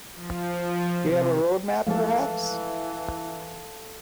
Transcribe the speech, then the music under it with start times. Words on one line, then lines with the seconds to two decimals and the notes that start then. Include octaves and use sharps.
You have a road map, perhaps?
0.15 F3
0.52 F3
1.02 C3
1.87 E3 F3 G#3 A3 A4 F5